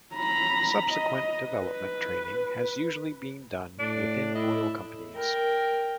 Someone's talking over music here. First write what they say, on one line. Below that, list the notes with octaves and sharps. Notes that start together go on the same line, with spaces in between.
Subsequent development training has usually been done within oil companies.
A#5 B5
D#5
B4
A2 D4
E4 D#5
A#4 G5